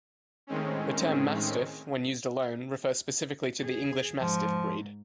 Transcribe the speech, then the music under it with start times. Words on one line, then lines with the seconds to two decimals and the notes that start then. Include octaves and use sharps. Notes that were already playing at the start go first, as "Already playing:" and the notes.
The term "Mastiff", when used alone, refers specifically to the "English Mastiff" breed.
0.47 A2 D#3 G#3 C4 C#4
3.64 G#4
4.20 G#2 F3